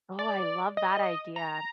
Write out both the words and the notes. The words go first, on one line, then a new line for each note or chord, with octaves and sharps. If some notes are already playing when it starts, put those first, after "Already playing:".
Oh, I love that idea.
D5
D#5
A#5